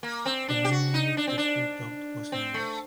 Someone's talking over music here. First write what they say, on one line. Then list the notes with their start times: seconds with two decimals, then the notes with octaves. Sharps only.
The main language the school taught was English.
0.03 A#3
0.25 C4
0.48 D4
0.65 G4
0.71 F#4
0.94 D#4
1.17 D4
1.27 C4
1.38 D4
2.32 C4
2.54 A3